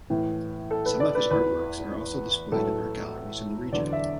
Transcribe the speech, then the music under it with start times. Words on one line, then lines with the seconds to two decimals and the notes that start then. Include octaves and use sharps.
Some of his art works are also displayed in art galleries in the region.
0.10 A2 E3
0.71 A4
0.86 B4
1.00 D5
1.15 B4
1.31 E2 E3 B4
2.52 A2 F#3 A4
3.72 E2 D3 F#3 D5
3.93 E5